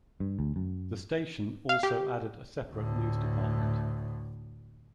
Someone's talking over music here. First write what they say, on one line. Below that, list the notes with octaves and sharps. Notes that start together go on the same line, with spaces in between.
The station also added a separate news department.
G2
D2
F#2
F5
G4
D2 A2